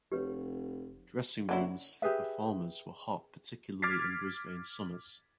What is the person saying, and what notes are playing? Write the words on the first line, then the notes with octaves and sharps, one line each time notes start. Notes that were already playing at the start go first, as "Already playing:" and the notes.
Dressing rooms for performers were hot particularly in Brisbane summers.
F1 G4 B4 C#5
F#1 D3 F#3 E4
G4 G#4 B4 E5
D6 F6 G#6 A6 B6 C7